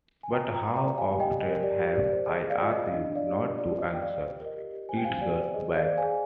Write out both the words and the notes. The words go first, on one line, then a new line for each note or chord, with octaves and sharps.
But how often have I asked you not to answer Edgar back?
G#5
F4 G5 A#5
F4
G5 A#5
D5
G5 A#5
D5
G4 F5 G#5
G4
D#5 G5
G4
D#5
A#4
G4 D5
G4
G4 D5
C5
G#4 D#5
G#4
D5 F5
F4
D#5
F4
F5
D4 D#5
D4
D5 F5
G4
D#5
G4
F4 D5
F4
D#5
F4 G5
D5 F5
F4
G4
A#4
D#5
G4
G4
C5 G#5
G5
C5 F5 G#5
G4 D5
C5
G#4 D#5
G#4
D5 F5
C5
F5 G#5
G#4